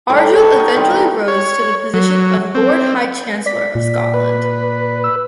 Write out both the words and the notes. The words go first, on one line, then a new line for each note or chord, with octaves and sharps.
Argyll eventually rose to the position of Lord High Chancellor of Scotland.
A2 G3 D4 A#4
G#4
C#5 A5
B3 D#4 A#4
D#3 E3 G3 C4
E3 A4
C#5
F#3
C4
D5 B6
A#2
B4
E6